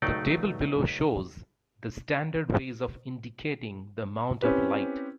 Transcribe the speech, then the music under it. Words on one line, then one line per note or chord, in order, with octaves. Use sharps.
The table below shows the standard ways of indicating the amount of light.
C#2 F#3 A3 D#4 D5 G5
C4 C#4 E4 G4 B4